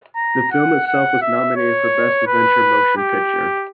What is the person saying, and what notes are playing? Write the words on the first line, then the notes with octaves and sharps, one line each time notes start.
The film itself was nominated for best adventure motion picture.
A#5
F#5
F#5
E5
C#5
B4
G4